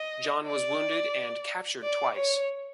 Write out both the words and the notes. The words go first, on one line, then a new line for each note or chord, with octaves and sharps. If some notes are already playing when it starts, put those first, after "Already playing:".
John was wounded and captured twice.
Already playing: D#5
D5
D5
C#5